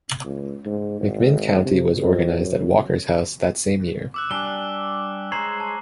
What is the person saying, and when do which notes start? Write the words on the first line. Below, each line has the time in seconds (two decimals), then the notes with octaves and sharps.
McMinn County was organized at Walker's house that same year.
0.24 C#2
0.66 G#2
1.00 G#1
1.65 C3
2.02 F2
2.39 F#2
4.14 D6 E6 F#6
4.31 G3 D4 G#5 G7
5.32 G#3 C5 C#5 A#5 C7 F#7
5.60 A5